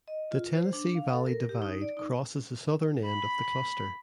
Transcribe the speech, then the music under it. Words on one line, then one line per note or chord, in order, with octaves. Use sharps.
The Tennessee Valley Divide crosses the southern end of the cluster.
D#5
F4
C5
D4
F5
A4
A#4
G4
D#4
D5
D#4
B5